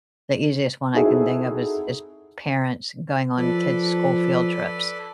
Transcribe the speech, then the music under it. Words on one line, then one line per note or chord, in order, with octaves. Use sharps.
the easiest one I can think of is is parents going on kids' school field trips,
C4 D#4 E4 F#4 G#4 A4
F3 A4 B4 D5